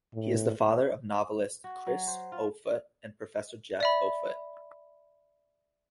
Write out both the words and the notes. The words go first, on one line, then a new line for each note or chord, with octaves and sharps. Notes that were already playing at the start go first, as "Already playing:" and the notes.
He is the father of novelist Chris Offutt and professor Jeff Offutt.
A2
F#4
F#3
C5
F4
D5 E5 B5